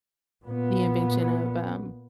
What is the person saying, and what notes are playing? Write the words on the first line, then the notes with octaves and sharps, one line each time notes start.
the invention of, um,
A#2 B3